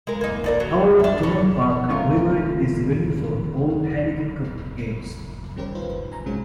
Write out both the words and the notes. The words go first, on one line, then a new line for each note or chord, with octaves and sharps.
However Thomond Park, Limerick is the venue for all Heineken Cup games.
G#3 A#4
A#3 D#4
D#2 D4 A#4
F#3
D4 E5
A2 C#4
D#3 A3 C#4 F4 A#4
D#3 G3 C#4 G4 A#4 C5
G1 D#4 F4 B4 C5
G#5 A#5
A#1 C3 G#3 C#4 F#4 C5